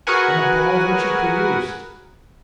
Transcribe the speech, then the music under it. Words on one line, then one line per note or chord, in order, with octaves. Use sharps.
And the balls which he produced!
F#4 G#4 A#4 B4 F#5 G#5